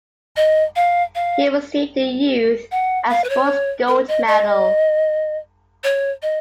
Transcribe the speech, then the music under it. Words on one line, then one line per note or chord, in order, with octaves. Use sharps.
He received the Youth and Sports gold medal.
D#5
F5
F5
F#5
F5
B4
C#5
A#4
D#5
D#5
C#5
D#5